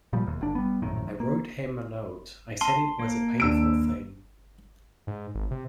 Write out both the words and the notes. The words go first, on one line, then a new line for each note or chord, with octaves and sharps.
I wrote him a note, I said it was a painful thing.
A#2 F3 G3
E1 D#2
G1 D4
G3 B3
A#1 F#2 A2 D#3
A#3
A5 C6
A#3
D#2 D4 E6 D7
G#2
G#1
C3